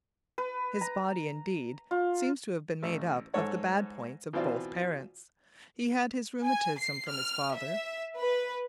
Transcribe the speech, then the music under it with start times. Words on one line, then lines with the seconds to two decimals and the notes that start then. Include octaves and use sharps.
His body, indeed, seems to have been made up of the bad points of both parents: he had his rheumatism from his father.
0.38 B4
0.81 A#5
1.91 F4
2.83 A1
3.34 G#2 A4 C#5 F#5
4.33 B2 E3 C4 F4 D5
6.46 G#5
6.79 C7
7.10 F6
7.55 E5
8.17 B4